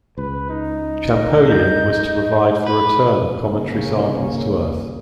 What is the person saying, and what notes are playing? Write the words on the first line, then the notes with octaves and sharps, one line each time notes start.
Champollion was to provide for return of cometary samples to Earth.
C#2 B4
D#4
D#5
G6
B4
G1 C2 C#3 A#3 C#4